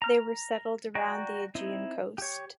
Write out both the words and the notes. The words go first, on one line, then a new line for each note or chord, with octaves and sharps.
They were settled around the Aegean coast.
A#5 F6
F#4 D5 G5 A#5
C4 D#4 E4
G4 C#5